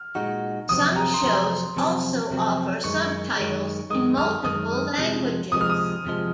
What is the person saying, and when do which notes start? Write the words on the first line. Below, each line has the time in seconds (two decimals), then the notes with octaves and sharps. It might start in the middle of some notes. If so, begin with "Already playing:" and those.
Some shows also offer subtitles in multiple languages.
Already playing: F6
0.15 A#2 G#3 D#4 F#4
0.69 F2 C3 F#3 C4 D#6
0.96 A#5
1.14 C6
1.22 F2 C3 F#3 C4 A#5
1.76 F2 C3 F#3 C4
2.30 F2 C3 F#3 C4
2.84 F#2 D#3 G#3 C#6
3.36 F#2 D#3 G#3
3.90 F#2 D#3 G#3 D#6
4.17 F6
4.44 F#2 D#3 G#3 D#6
4.97 F2 C3 F3 G#3
5.52 F2 C3 F3 G#3 D#6
5.61 F6
5.70 D#6
6.05 F2 C3 F3 G#3